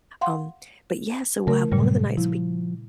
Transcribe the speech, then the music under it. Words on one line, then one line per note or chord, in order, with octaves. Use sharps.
Um, but yeah, so we'll have one of the nights will be
F5 F#5 C6
C#3 A3 A#4
G2 A#2 C#3 F#3 G3
F3 E4